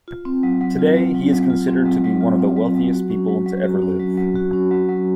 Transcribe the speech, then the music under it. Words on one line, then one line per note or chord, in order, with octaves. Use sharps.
Today, he is considered to be one of the wealthiest people to ever live.
F4
C4
F#3
F#3
F4
C4
F#3
F#3
F4
C4
F#3
F#3
F4
C4
F#3
F#3
F#4
C#4
F#3
F#3
F#4
C#4
F#3
F#3
F#4
C#4
F#3
F#3